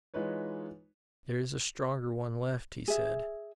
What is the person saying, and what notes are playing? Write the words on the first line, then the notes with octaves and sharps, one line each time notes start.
"There is a stronger one left!" he said.
E3 G#3 D#4 F4 B4 C#5
G#4 E5